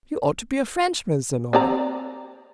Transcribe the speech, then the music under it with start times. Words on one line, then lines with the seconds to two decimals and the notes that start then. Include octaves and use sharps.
You ought to be a Frenchman, Sir Norman!
1.53 C4 D5 A#5